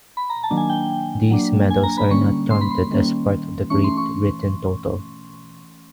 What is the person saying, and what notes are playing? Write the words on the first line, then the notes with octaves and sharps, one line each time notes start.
These medals are not counted as part of the Great Britain total.
B5
A#5
A5
D#3 F#3 A#3 D4
G#5
G5
F#3 A#3 D4
G#5
A#5
B5
D3 G3 A#3 C#4 C#6
C6
B5
C6
D#3 G3 A#3 C#4
E3 A3 C#4 C#6
C6
C#6